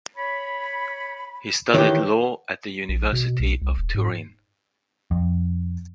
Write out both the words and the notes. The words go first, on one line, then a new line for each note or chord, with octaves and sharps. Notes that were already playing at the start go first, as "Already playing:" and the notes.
He studied law at the University of Turin.
C#5 B5
D#3 E3 G4 C#5
A#1
B2
B1
C2
D#1
G#2
F2